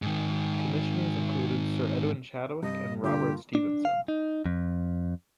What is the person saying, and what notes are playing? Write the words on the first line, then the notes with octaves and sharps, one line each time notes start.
Commissioners included Sir Edwin Chadwick and Robert Stephenson.
G#2 D#3
G2 C3 D#5
D3 A#3 F4 G4
D4
F5
D#4
F2